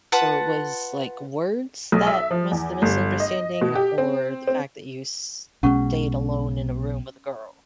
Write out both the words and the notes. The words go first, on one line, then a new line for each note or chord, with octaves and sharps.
So it was, like, words that was the misunderstanding, or the fact that you stayed alone in a room with a girl?
F4 B4 F#5 A5
B1
E5
F3
E2
G1
D#5
B2
G4
C4
C4
B1 B2 G#3 C#4 F#5 C#6